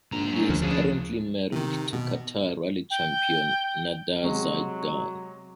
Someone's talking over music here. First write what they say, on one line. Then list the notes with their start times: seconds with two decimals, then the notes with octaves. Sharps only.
He is currently married to Qatar rally champion Nada Zeidan.
0.12 A#1 G#2 A#5
0.32 F#2 F#3
0.49 D2 F3
0.62 C#3 D4 G#4
1.52 C3 D#3
1.93 B2
2.91 G5
4.23 C3 F#3 G#3